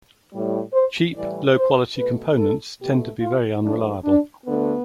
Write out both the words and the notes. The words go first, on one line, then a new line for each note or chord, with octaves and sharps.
Cheap low quality components tend to be very unreliable.
A2 G3
C5
A2 E3 G3 D5
C5
B2 A3 B4
A4
B2 A3 G4
F4
G2 F3 A3 D4
D4
D2 D3 A3 B3